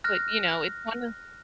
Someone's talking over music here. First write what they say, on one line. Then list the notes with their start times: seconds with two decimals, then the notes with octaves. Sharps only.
But, you know, it's one of
0.04 F6 F#6 A#6